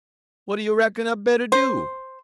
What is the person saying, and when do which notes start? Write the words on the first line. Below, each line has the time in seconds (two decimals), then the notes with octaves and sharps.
What you reckon I better do?
1.52 C5